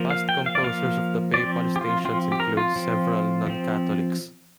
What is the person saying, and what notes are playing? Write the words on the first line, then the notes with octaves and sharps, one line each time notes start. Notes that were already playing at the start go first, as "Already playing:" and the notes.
Past composers of the Papal Stations include several non-Catholics.
Already playing: F3 A#3
F5
G5
F5
D5
F3 A#3 F5
F3 C4 D5
G4
F4
F3 C4 F4
G4
A#4
F4
F3 C4
F3 C4